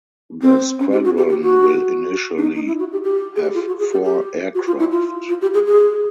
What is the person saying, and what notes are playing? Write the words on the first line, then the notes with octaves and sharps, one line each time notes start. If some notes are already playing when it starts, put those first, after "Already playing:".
The squadron will initially have four aircraft.
C4
C#4
G4
F#4
G4
G4
F#4
D4
D#4
D#4
E4
F#4
G4
G4
G#4
G4
F4
F#4
G#4
G4
G4
F#4
F4
E4
F4
F4
G4
G#4
G#4